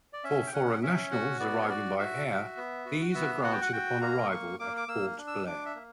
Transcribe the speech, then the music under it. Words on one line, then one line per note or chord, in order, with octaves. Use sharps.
For foreign nationals arriving by air, these are granted upon arrival at Port Blair.
D5
C#4 E5
G5
C#4 F#5
C#4 E5
F#4 F#5
B3 D5
C#5
F#4 D5
F#4 E5
F#4
B3
F#4
B3 E5
F#4 F#5
G5
F#5
F#4 G5
A#3 A#5
A#3 C#6
A#3 D6
D6
A#3 E6
D4
E6
D4 D6
E5
A#3